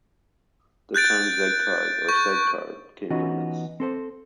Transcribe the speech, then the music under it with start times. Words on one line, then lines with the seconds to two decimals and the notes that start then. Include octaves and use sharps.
The terms Zed Card or Sed Card came from this.
0.94 F#6 G6 A6 D7
2.09 C#6 G6
3.10 E3 B3 C#4 D#4 F4 F#4
3.80 C4 A4 C5